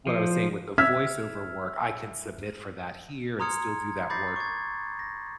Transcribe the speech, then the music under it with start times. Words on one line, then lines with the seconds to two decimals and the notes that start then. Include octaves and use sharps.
what I was saying with the voice over work, I can submit for that here, and still do that work
0.07 F3
0.78 E5 E6 F6 G#6 B6
3.40 A#5 C6 D#6 F6 G#6 C#7
4.10 B5 D6 G6 A6 A#6 C7
4.36 C#6 G#6
4.99 A#6